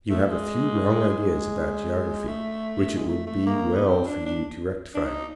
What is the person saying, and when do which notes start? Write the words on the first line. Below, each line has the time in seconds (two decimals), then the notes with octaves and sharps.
You have a few wrong ideas about geography, which it would be well for you to rectify.
0.10 A3
0.29 G#3
1.09 G#3
2.28 A3
2.96 G#3
3.07 A3
3.27 A3
3.46 A#3
3.76 B3
3.87 C4
4.06 D4
4.26 D4
4.95 D4
5.05 D#4